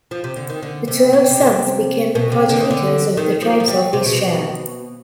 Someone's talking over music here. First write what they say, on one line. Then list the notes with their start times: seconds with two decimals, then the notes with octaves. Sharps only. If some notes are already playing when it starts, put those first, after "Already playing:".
The twelve sons became the progenitors of the "Tribes of Israel".
0.11 F3
0.24 C3
0.36 D3
0.50 D#3
0.63 D3
0.88 C3
1.13 C3
1.30 C3
1.41 D3
1.47 C3
2.15 B2
2.32 C3
2.49 D3
2.60 D#3
2.71 D3
3.17 D#3
3.42 F3
3.60 F3
3.68 G3
3.93 C3
4.06 B2